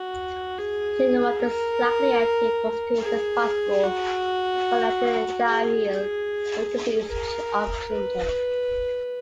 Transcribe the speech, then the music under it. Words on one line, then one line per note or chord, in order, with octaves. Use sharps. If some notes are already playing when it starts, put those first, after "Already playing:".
Zingerone is likely the active constituent responsible for the antidiarrheal efficacy of ginger.
Already playing: F#4
G#4
A#4
G#4
F#4
G#4
A#4
B4